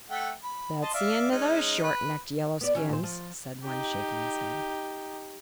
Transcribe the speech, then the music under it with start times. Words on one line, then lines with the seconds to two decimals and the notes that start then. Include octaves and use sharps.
"That's the end of those short-necked Yellowskins," said one, shaking his head.
0.10 A3 F#5 G5
0.44 B5
0.82 D#5 A5 C6
0.94 D5 E5 F5
1.31 G#3 C#4 D#4
1.83 B4
2.61 B3 D5
2.75 E3 C#4 G4
2.89 A#2 C5
3.03 F3
3.63 D#4 G4